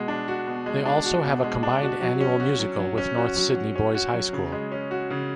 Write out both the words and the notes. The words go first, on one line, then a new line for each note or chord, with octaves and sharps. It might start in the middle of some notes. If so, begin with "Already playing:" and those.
They also have a combined Annual Musical with North Sydney Boys High School.
Already playing: B2 G#3
D4
F#4
B2
G#3
D4
F#4
B2
G#3
D4
F#4
F#3
C#4
F#4
F#3
F#3
C#4
F#4
F#3
F#3
C#4
F#4
F#3
C#3
G#3
C#4
F#4
C#3